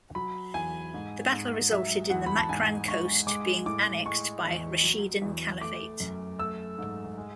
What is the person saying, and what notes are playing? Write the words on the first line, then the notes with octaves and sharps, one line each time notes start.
The battle resulted in the Makran coast being annexed by Rashidun Caliphate.
F#3 B5
E2 G#5
G#2
G#2
F#3 E5
E2 F#5
B5
A5
G#2 G#5
G#2 C#6
G#3 D6
A2 D6
G#3 C#6
E2
F#3
E2
A3 D6
F#2
A3 E6
G#2
G#3